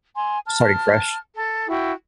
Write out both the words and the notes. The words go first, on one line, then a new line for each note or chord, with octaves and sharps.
Starting fresh.
G#5 C6
A5 F6
A4
E4 F#4 G5